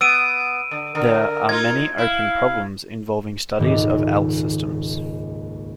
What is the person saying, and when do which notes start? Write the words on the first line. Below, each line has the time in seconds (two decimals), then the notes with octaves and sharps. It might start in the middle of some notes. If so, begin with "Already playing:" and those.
There are many open problems involving studies of L-systems.
0.01 B3 E6 D7 D#7
0.71 D3
0.95 D3 A#4
1.49 D#4 F4 G#6
1.98 E4 F5
3.58 D#1 G#1 C#2 G#2 D#3